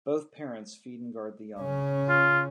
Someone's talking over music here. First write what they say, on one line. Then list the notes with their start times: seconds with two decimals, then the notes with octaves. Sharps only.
Both parents feed and guard the young.
1.60 C#3 C#4
2.09 F4